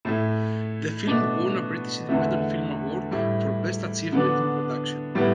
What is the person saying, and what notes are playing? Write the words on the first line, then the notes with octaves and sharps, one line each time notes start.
The film won a British Independent Film Award for Best Achievement in Production.
A2 A3 E4
B2 A3 D4
E2 D3 A3 E4
A2 G3 E4
D3 B3 D4
A2 G3 B3 E4